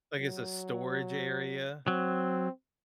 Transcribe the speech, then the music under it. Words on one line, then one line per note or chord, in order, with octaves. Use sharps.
Like, it's a storage area.
F#3
F#3 C4